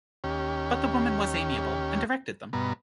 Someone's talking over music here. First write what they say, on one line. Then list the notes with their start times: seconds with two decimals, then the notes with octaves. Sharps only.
But the woman was amiable, and directed them.
0.24 D#2 C#4 G4
2.53 G2 B2 B3 A#5